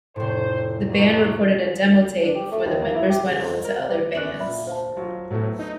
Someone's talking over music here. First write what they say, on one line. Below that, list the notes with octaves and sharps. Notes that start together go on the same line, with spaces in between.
The band recorded a demo tape before the members went on to other bands.
F1 A2 C5
F2 C3 F#3
D4
G4
A3
D#2
A#3
E4
G4
C#3
F2
A#4
C3
G3
B3 C#4 D5 F#6 F#7
A#2 D5 E5 B5
C5 F5 A5
F#3 F4
A2 F#3 A3 B3
D#4